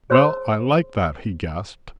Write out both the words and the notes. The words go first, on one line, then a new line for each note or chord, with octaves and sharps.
"Well, I like that!" he gasped.
G#4 C5 C#5 C6 E6